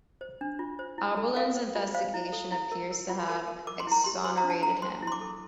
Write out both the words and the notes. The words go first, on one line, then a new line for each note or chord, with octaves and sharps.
Abberline's investigation appears to have exonerated him.
C5
D4
F4
C5
E4
A4
A4 F5
C5
F4
C5 F5
E4
A4
E4
A#4
A#4
F4
A#4
A#4
A#4 D6
C6
E4 A#5
G4 C6
C5 C6
A#5
D4
A5
A4 A#5
C5 C6
E4 C6
D6
A4